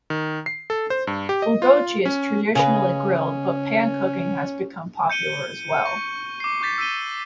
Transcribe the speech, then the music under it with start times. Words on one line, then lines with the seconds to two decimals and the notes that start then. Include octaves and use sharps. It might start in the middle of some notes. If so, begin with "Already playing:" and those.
"Bulgogi" is traditionally grilled, but pan-cooking has become popular as well.
0.10 D#3
0.46 C7
0.70 A4
0.90 C5
1.07 G2
1.29 G4
1.42 D#5
1.62 F4
2.05 C#4
2.55 C#3 C#4 G#4 B4 D#5
5.10 G6 C#7 D#7 G7
5.86 C#6
6.40 D6 C7
6.61 C#6 D6 G6 A6 B6
6.78 E6 B6 D#7 G7